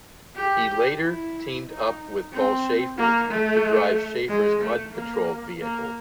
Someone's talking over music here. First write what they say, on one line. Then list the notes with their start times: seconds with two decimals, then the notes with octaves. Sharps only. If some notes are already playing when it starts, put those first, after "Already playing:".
He later teamed up with Paul Shafer to drive Shafer's Mud Patrol vehicle.
0.36 G4
1.02 E4
1.67 D#4
2.33 C4
2.98 A#3
3.31 A3
4.29 G#3
4.62 A3
4.94 A#3
5.61 A#3